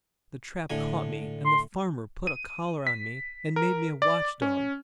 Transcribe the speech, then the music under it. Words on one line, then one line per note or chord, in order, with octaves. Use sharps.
The trap caught me and the Farmer put a collar on me and made me a watchdog.
A2 D3 G#5
C6
D#7
B6
A#4
D5
C#4